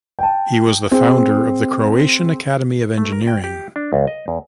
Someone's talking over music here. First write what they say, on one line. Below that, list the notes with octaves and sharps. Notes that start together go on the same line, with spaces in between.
He was the founder of the Croatian Academy of Engineering.
G5 A5
C4 G#4
A3
A#4
G5
G4
D4
C#2
D#5
E2